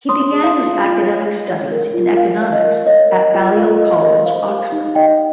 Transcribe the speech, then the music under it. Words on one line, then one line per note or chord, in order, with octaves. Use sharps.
He began his academic studies in economics at Balliol College, Oxford.
C#5 C6 D#6
G#4
F5
F4
F4
C#5
G#4
C#5
A#4
F4
F4 F5
C#5
D#5
A#4
C#5 D#5
A#4
F4
F4 F5
C#5 D#5
A#4 D#5
C5 F5
G4
D#4
D#4 D#5 G5